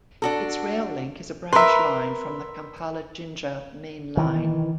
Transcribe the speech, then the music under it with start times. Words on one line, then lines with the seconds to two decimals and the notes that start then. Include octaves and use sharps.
Its rail link is a branch line from the Kampala-Jinja main line.
0.22 D4 F#4 A4
1.53 A#4 B4 E5 C6
4.17 D#3 E3